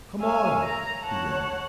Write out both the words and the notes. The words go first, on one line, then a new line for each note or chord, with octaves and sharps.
"Come on!" he yelled.
C#5 E5 F5 G#5
A#4 A#5
C#5 F#5 A5